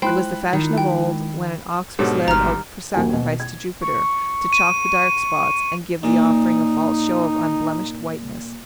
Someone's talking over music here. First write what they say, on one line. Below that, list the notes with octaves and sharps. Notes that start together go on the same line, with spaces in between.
It was the fashion of old, when an ox was led out for sacrifice to Jupiter, to chalk the dark spots, and give the offering a false show of unblemished whiteness.
G#3 E4 F4 C5 G5 B5 F#6
D#3
G5
G#2 B2 D4 G4 A4 C#5 F#5
G#1 D#3 G3 A#5 F6
D#1 A#1 A#3 F#4 G#5
B2
G#6
C#6
D#7
A#2 D#4